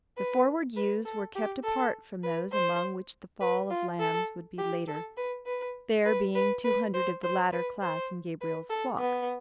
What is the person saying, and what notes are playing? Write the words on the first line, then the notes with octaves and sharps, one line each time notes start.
The forward ewes were kept apart from those among which the fall of lambs would be later, there being two hundred of the latter class in Gabriel's flock.
B4
B4
A4
G4
A4
B4
C5
B4
F4
A4
G4
A4
B4
B4
B4
B4
B4
C5
C5
B4
C5
B4
A4
B3